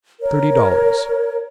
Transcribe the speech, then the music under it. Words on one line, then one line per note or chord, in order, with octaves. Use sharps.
"Thirty dollars."
A#4 C#5